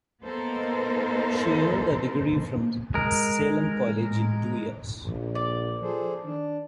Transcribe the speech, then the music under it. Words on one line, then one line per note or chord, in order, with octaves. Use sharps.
She earned her degree from Salem College in two years.
A#3 B3 D#4 A4 A#4 C5
G#3 A#4
A#1
D5
F3 G#4 A4 C5
D#3 D4